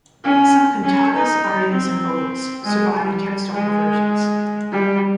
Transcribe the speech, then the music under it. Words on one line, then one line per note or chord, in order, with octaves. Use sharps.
Some cantatas, arias, and odes survive in text-only versions.
C#4
C#4
D#4
C4
G#3
G3
G#3
G3